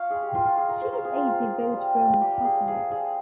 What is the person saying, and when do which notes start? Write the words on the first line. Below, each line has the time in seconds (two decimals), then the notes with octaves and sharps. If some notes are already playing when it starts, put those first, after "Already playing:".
She is a devout Roman Catholic.
Already playing: F4 C#5 F5
0.10 G#3 G#4
0.22 G4
0.34 G#3 F4
0.46 F4
0.57 F4 G#4
0.69 A#4
0.81 G#3 C5
0.93 A#4
1.04 C4 G#4
1.16 F4
1.27 F4
1.51 F4
1.74 G3
1.98 F4
2.21 G3 G4
2.44 G3 G#4
2.68 F4 G#4
2.91 G3 G#4